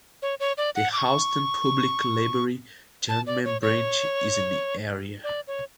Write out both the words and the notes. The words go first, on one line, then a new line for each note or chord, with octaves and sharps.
The Houston Public Library Jungman Branch is in the area.
C#5
C#5
D5
F#5
D6
C#6
A5
D5
C#5
C#5
D5
C#5